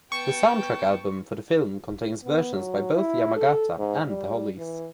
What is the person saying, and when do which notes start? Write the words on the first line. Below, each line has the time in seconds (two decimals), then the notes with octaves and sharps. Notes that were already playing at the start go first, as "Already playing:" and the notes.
The soundtrack album for the film contains versions by both Yamagata and the Hollies.
0.12 B3 G5 A5 C#6
2.24 B3
2.54 F#3
2.93 E4
3.36 A4
3.78 G#2
4.07 G3
4.58 E3